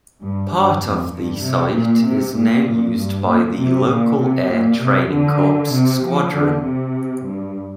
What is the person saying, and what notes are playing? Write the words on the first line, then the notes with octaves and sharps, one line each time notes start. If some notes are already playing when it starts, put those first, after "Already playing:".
Part of the site is now used by the local Air Training Corps squadron.
G2
G2
F2
G2
C3
A#2
C3
A#2
G2
A#2
C3
A#2
C3
A#2
C3
D3
C3
F3
D3
C3
G2